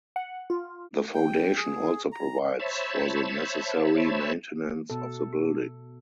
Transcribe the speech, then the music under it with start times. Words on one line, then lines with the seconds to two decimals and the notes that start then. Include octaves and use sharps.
The foundation also provides for the necessary maintenance of the building.
0.16 F#5
0.50 F4
1.14 G5
1.57 G#4
2.12 A#5
2.59 C5 C#5 E5 A5 B5
4.90 B2 A4